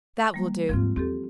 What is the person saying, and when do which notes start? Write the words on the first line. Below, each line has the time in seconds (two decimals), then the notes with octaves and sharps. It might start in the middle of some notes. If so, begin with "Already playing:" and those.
That will do.
0.34 G3 A#3
0.69 D#2 G#2 F3 C4 F4
0.96 E2 C4 G4 A4